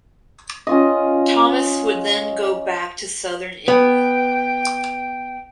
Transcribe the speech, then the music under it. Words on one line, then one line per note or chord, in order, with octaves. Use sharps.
Thomas would then go back to southern India.
C#4 F4 D#5
B3 G5